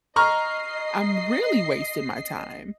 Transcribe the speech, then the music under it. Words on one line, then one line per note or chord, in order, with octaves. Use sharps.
I'm really wasting my time,
D#5 A#5 C#6 F6 C7